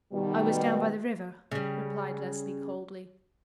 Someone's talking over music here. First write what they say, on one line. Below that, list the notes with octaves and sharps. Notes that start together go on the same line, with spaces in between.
"I was down by the river," replied Leslie coldly.
B2 D#3 G3
C#3 G3